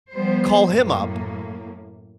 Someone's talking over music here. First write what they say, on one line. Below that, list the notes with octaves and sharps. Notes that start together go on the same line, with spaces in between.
Call him up
F3 G3 B3 C5
F#2 A2 A#3